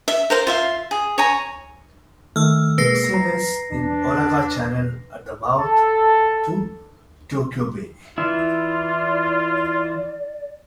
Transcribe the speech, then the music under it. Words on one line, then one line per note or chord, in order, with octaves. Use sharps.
Vincennes in Uraga Channel at the mouth to Tokyo Bay.
E5
A#4 C5 F5
F4 E5 F5
G#4
C#5 G#5 A#5
D#3 A3 E6 F6
B2 G#3 A#3 B4 A#6 C7
A#5
E2 D4
A4
E3 E4 F4 D5